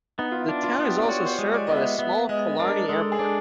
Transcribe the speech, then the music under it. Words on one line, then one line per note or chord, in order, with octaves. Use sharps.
The town is also served by the small Killarney Airport.
B3 D#4
F4
E4
D4
F4
B3
G4
D5
F#4 C#5
C5
C#5
G#3
D5
B3 D#5
E5
B3 E5
G#3 D#5
D4 A#4
G#3 A4
G#4
D4